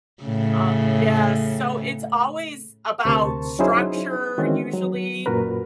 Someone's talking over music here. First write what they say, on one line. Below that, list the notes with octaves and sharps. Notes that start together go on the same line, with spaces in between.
Uh, yeah, so it's always about structure, usually,
A2 C#3
D2 C3 A#4 C5 A5 C#6
F#3 C#4 D#4 E4 G#4 C5
D#3 E3 G#3 C4 C#4 F#4
F#3
F#2 A#2 F#4 A#4 B4